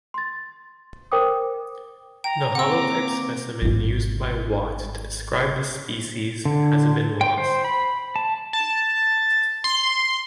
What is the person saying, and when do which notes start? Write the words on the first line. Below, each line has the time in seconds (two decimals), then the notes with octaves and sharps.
The holotype specimen used by Watt to describe the species has been lost.
0.14 C6 A6
1.12 A#4 C5 G5 D6 D#6
2.24 G5 A#5
2.55 A#3 C4 F#5 D6 E6
3.62 G#1 F4
6.45 D3
7.21 G5
7.38 C5
7.65 B5
8.16 A5
8.53 A5
9.64 C6